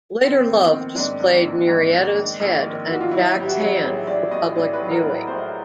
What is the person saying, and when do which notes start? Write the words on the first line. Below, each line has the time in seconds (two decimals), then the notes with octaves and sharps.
Later Love displayed Murrieta's head and Jack's hand for public viewing.
0.24 D#3 C4
0.38 C4
0.48 A#1 B3
0.72 D#3 C4
0.96 G#2 D4
1.20 A#1
1.44 A#1
1.68 G#2
1.92 D#3
2.16 G#2
2.40 A#1
2.63 D#3
2.88 D#3 F#4
3.01 F4
3.11 F#3 E4
3.36 A1 G4
3.48 F#4
3.60 F#3
3.83 A1 G#4
4.07 A1 D5
4.31 A2 D#5
4.56 A1 D5
4.73 B4
4.79 F#3
4.91 A#4
5.03 A1
5.09 B4
5.27 A2 C5